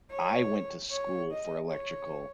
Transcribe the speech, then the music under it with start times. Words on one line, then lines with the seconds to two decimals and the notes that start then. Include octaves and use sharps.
I went to school for electrical
0.11 C#5
0.91 C#5
1.31 D#5
1.71 C#5